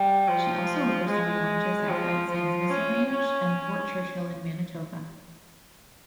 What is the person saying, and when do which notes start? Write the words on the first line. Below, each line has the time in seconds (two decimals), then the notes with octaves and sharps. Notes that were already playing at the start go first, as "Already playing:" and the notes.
She also oversaw launches at White Sands Missile Range and Fort Churchill in Manitoba.
Already playing: G3
0.28 F3
1.09 G#3
1.89 F3
2.30 F3
2.71 C#4
3.11 C#4